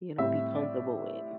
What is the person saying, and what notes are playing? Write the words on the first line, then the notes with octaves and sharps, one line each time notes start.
you know be comfortable in,
A2 G3 C4 E5
D5